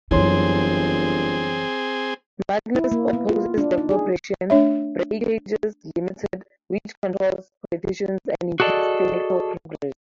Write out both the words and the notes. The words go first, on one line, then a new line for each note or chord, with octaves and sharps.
Magnus opposes the corporation "Breakages, Limited", which controls politicians and impedes technical progress.
G1 F#2 E3 C4 E4 G#4 C#5 C6
E4
A#3
B3
F4
D4
D#4
G#4
A3 D4 C#5 E5
F#4 G#4 A4 D5 D#5